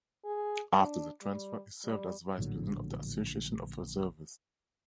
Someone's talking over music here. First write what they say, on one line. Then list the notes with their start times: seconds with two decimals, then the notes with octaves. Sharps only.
After the transfer, he served as vice-president of the Association of Reservists.
0.25 G#4
0.73 D4
1.23 G3
1.84 G3
2.38 A#1 A2 D3 F#3